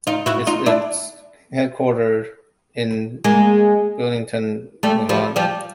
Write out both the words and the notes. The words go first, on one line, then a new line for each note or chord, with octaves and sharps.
It is headquartered in Burlington, Vermont.
D#4 F4
E4 F#4
D#4 F4
D4 E4
G#3 A#3
G3 A3
F3 G3
F3 G3